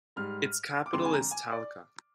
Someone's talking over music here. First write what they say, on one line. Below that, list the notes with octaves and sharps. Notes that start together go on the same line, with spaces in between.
Its capital is Talca.
G#2 G3 F6
D6
F2 D3 G#3 C6
G#5
A#5
G#5
D5